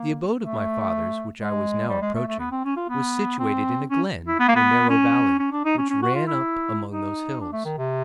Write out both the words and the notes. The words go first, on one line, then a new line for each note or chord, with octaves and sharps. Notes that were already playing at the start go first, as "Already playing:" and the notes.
The abode of my fathers, which I was now approaching, was situated in a glen, or narrow valley, which ran up among those hills.
Already playing: A#3
A3
G#3
G3
G#3
A3
A3
B3
C4
C#4
F4
B3
C4
C#4
E4
B3
A#3
B3
C#4
C#4
D4
D#4
C#4
C#4
F#4
F4
E4
D#4
D4
A3
D#3
C3